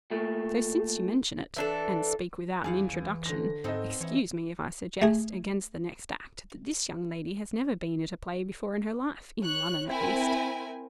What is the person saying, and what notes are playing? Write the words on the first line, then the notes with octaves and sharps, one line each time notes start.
So, since you mention it, and speak without an introduction, excuse me if I suggest, against the next act, that this young lady has never been at a play before in her life--in Lon'on, at least.
A#2 A3
E3 D4 A4
E2 D5 F5 F#5 G#5
E3
D3 C5 A#6
G#2 B3 C4 D#4 A4 D#5
E3 E4 C#5
A3 G#4
C#5 F#6
C4 E4 A#4 G#5